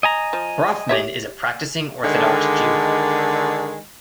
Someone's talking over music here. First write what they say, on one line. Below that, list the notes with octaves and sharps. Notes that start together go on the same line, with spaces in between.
Brafman is a practicing Orthodox Jew.
D#5 G#5 A#5
F3
G4 C#5 E5
D3 D#3 G#3